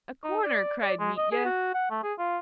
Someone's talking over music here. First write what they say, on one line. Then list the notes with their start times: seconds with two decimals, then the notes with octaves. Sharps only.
"A corner!" cried Mitya.
0.24 D#4
0.44 D5
0.83 D5
1.00 G#3
1.17 D#5
1.32 G#4
1.45 F#4
1.74 F#5
1.90 A3
2.03 G#4
2.19 F4